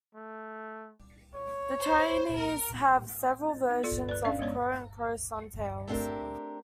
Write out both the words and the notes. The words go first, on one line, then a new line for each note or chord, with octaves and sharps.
The Chinese have several versions of crow and crow-Sun tales.
A3
C#5
C5
A#4
B3
F4 A4 D5
B4 D5
C#4 D4 D5 F5
G#3 B3 C#5 D5
A3 B3 C4 D4 G4 A#4